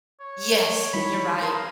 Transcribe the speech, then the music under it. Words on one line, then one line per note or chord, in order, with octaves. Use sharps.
Yes, you're right.
C#5
D#3 E3 F#3 B5
A#4 B5 C6 D#6